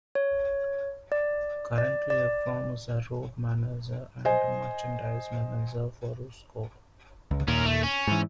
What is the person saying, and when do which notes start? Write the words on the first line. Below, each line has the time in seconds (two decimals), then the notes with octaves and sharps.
Currently, Efrem is the road manager and merchandise manager for Rusko.
0.15 C#5
1.12 D5
1.78 D5
2.10 D5
4.25 C5 D#5 G#5
7.31 C#2
7.48 D#2 A#2 C#4 A#4
7.66 A3
7.83 C#4
8.07 G#2 E3